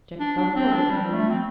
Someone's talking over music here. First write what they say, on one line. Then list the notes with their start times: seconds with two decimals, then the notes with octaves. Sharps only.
Jack felt bold that morning.
0.20 D4
0.38 D4
0.56 C4
0.73 D4
0.90 G3
1.13 A3
1.30 C4